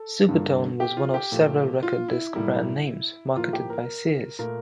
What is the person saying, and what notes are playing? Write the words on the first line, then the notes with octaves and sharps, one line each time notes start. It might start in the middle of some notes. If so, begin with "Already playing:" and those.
Supertone was one of several record disc brand names marketed by Sears.
Already playing: A4
G2 D3 G3 A#3
G4
F4
G4
A#2 F3 A3
F4
E4
A2 G3 A#3 E4
A2 F3 A#3 F4
G4
A#4
A#2 A3 A#4